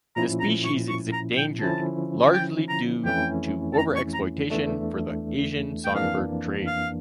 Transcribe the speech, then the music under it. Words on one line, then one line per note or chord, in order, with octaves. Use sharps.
The species is endangered largely due to overexploitation for the Asian songbird trade.
A#2 F3 C#4 E4 A#5
A#5
C#6
C#6
A#5
G5
D3 F3 C#4 E4 A5
G5
A#5
F2 E3 A3 C#4 E4 G5
A5
A#5
C#6
A#5
E2 E3 A3 D4
G5
F2 E3 A#3 D4 F5
F5